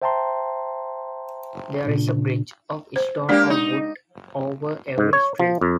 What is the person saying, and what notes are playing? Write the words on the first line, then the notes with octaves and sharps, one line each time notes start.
There is a bridge of stone or wood over every stream.
C5 E5 G5 A5 A#5 C6
A#2 C#3 D4
C5
G#3 A#3 D4 G4 D5
D#4
G#2
C#5
F3
F2